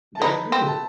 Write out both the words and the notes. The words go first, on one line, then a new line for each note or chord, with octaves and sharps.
That's good.
A5
D#4 B5
C4
A5